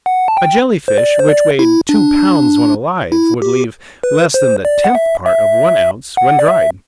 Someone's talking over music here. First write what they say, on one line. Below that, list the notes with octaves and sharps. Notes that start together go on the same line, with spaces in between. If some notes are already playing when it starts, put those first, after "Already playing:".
A Jelly-fish, which weighed two pounds when alive, would leave less than the tenth part of one ounce when dried!
F#5
A5
G5
C5
D5
C5
D5
E4
D4
E4
G4
B4
C5
D5
F#5
E5
E5
F#5
D5
E5